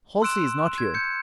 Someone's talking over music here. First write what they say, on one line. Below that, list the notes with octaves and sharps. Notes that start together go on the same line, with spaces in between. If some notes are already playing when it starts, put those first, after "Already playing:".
Halsey is not here.
C6 E6 F#6 D7 E7
G#6
G6 C#7